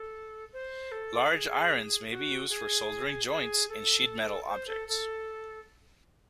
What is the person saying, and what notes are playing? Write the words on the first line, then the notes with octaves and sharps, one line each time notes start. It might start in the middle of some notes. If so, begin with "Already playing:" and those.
Large irons may be used for soldering joints in sheet metal objects.
Already playing: A4
C5
A4
G#4
F#4
G#4
G#4
A4
C5
A4
A4